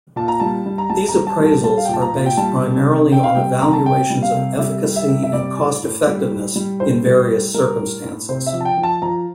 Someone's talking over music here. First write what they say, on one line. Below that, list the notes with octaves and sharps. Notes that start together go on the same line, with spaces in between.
These appraisals are based primarily on evaluations of efficacy and cost-effectiveness in various circumstances.
A#2 A5
A#5
G3 A5
G3
A#5
G3 A5
A#5
G3
A5
G3
A5
G3 A5
F5
G5
A#2 A5
A#5
A#2
G5
G3 A5
C3
C3
C3 G5
F5
G3 G5
C3 A#5
A5
C3 G5
G3
F5
C3
G3 E5
G3
E5
C3
E5
G3 D5
A2
A2
G3
A2
G3
A2 C5
G3
A2
G3 A#4
A2
A2
C3 C5
E5
F3
A5
G5
F3
A5
F3 A#5